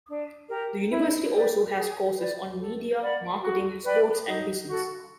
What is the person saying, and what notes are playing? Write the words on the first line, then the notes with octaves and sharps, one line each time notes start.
The university also has courses on media, marketing, sports and business.
D4
G4 A#4
E4
G4 B4 D5
G#4
B4 D5
A4
D5 F#5 B5
F#4
B4 D5 G5
D#4
F#4 A4